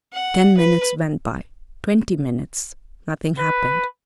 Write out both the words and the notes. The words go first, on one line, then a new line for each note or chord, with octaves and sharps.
Ten minutes went by--twenty minutes--nothing happened.
F#5
B4
B4